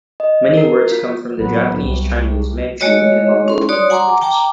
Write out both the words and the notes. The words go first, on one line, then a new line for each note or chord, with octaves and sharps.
Many words come from the Japanese, Chinese, Manchu and Mongolian languages.
D#5
A#4
F4
A1 F#3 B3
C2
G#3 A3 F#4 C#5 D#5
C#4 C6
F#4 C#5 D5 C6 D#6
F#5 G#5 A#5 C6 D6
G5 A5 A#5 D6